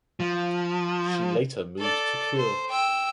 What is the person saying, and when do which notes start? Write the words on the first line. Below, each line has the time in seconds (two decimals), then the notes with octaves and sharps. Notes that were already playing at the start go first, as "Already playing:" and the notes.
She later moved to Kure.
0.20 F3
1.79 A4 D5
2.36 C5
2.70 G5 E6